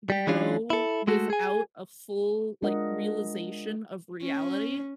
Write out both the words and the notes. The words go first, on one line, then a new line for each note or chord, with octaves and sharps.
grow without a full, like, realization of reality,
G3 G4
E3 F#3 C#4 D4 F4
E4 A4
G#3 A3 F#4 A4
G#4 G#5
G#3 D4 F4 A#4 D#5 F#5
C#4